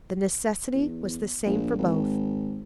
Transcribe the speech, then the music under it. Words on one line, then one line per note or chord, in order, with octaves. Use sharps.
The necessity was the same for both.
E2
A#1
G#1